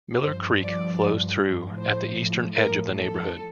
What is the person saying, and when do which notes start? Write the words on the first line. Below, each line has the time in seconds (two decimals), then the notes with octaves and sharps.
Miller Creek flows through at the eastern edge of the neighborhood.
0.22 G2 F3 C5
0.61 D5
1.77 A2 F3 C5
2.55 A#4
2.94 A4